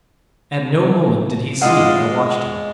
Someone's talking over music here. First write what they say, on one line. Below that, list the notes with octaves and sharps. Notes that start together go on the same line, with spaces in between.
At no moment did he see that I watched him.
G#3 F4 D5 D#5 F5 F#5